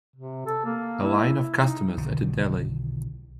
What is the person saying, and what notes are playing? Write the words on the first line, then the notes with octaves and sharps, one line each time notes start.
A line of customers at a deli.
C3
A4
A#3
E4
D#4
B1 D3 D#3